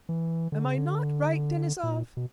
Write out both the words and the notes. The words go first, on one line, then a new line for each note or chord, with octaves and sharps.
Am I not right, Denisov?
E3
D3
C#3
D3
A#2
B2